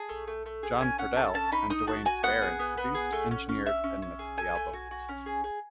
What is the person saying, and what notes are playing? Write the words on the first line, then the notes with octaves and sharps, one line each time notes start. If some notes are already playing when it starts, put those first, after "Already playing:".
John Purdell and Duane Baron produced, engineered and mixed the album.
Already playing: G#4 A5
A3
A3
A3
G#4
C#4 G#5
C#4 F#5
A4 A5
C#4 A5
D#4 B5
D#4 D#6
F#4 A5
F#4 G#5
B3 F#5
G#4
B3
B3
G#4
A3
C#4
C#4
C#4 E5
C#4
C#4
G#4
A4 G#5
A3
F#4
F#4
C#4
G#4
G#4